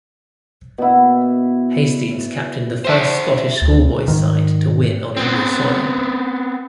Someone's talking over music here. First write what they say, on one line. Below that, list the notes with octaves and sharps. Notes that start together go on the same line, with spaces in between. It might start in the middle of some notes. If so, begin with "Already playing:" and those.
Hastings captained the first Scottish schoolboys' side to win on English soil.
B2 E4
C5 E5 A5
D2
G#2 D#3
B3 C4